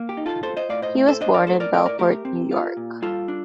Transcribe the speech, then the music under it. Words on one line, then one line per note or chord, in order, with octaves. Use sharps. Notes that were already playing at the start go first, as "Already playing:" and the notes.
He was born in Bellport, New York.
Already playing: A#3
G4
D#4
F4 A4
F4 A4 C5
C5 D#5
A2 D5 F5
C5 D#5
A3
A4 C5
D4 C5 D#5
A#4 D5
A2 A4 C5
A#4 D5
A2 A#4 D5
A#4 D5
A3 G4 A#4
C4
F4
A#2
G3 F4 A4
D4